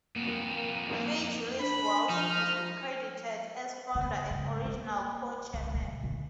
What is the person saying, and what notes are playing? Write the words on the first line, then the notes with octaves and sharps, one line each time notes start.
Fay Gillis Wells is credited as founder and original co-chairman.
F2 A#3 B3
D4 B5
F3 D#4 F6
C#3
G#2
A#3
C#2
A#2
D3